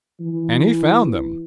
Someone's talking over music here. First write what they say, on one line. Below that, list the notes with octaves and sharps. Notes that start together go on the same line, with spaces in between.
And he found them.
E3